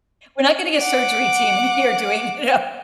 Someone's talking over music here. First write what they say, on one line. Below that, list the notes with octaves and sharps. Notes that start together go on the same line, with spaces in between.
We're not getting a surgery team in here doing you know
F#5 D6